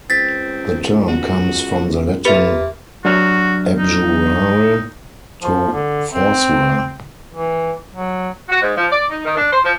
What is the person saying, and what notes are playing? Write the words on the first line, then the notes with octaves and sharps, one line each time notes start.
The term comes from the Latin "abjurare", "to forswear".
C#2 C4 A6 B6
F#4
A#2 A#3 G4 B4 E5
F#3 D4 F#4 F6
D#4
F3
D3
C4
E3
F#3
F#4
G#2
F3
D5
D#4
D#3
D4
C5
F3